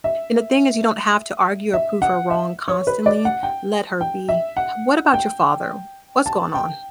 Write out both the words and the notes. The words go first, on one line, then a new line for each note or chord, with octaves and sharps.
and, the thing is, you don't have to argue or prove her wrong constantly, let her be, h what about your father? What's going on?
E5
E5
F#5
E5
C#5
B4
D5
F#5
G5
G5
E5
F#5
G5
A5
G5